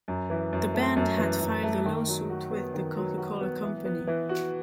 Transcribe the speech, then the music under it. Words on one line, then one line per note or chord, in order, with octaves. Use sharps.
The band had filed a lawsuit with the Coca-Cola company.
F#2
E3
F#2
A3
F#2
E3
F#2
A3
D#3
F#3
F#4
B3
D#3
F#3
F#4
B3
E3
B3
E3
F#4